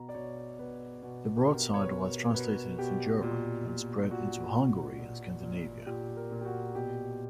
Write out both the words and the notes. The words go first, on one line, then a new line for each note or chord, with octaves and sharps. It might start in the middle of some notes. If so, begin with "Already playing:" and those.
The broadside was translated into German, and spread into Hungary and Scandinavia.
Already playing: B2 A#5
D5
B2 C#5
B2 B4
B2
G4
B2 A#4
C#5
B4
B2 A#4
A#4
B2 B4
B2 G4
A#2
A#2
A#2 F#4
A#2
A#2
A#2
A#2 G4
A#4
A#2
G4
F#4
B2 G4